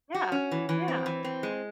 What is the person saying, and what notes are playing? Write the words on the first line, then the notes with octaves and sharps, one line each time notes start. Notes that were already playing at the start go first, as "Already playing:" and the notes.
Yeah. Yeah.
F#4
C#4
E3
E3
C4
E3
C4
G#3